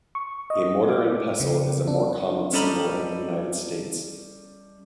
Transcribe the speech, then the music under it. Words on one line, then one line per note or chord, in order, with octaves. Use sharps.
A mortar and pestle is a more common symbol in the United States.
C#6
D#5
D6
C#3
D4
G3 C#4 A4 D#5 A#5 B5